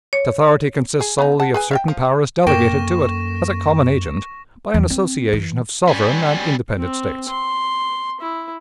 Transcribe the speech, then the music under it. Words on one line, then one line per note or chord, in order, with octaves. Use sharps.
Its authority consists solely of certain powers delegated to it, as a common agent, by an association of sovereign and independent States.
C#5
G#4
B3 D#4
F#5 A5
G#4 B4 G#5
E5 F5 G5
F3
F#2 A#3 A4 G5 C#6 A#6 E7
E2
C4
E3
G3 C#4
C4
C6
E4